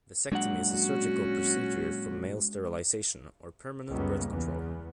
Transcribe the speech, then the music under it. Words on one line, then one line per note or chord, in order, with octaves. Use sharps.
Vasectomy is a surgical procedure for male sterilization or permanent birth control.
A#2 F#3 G#3 D4 F#5
C#4 F#4
C#2 F#2 G3 A#3 B3 C#4
E2 B3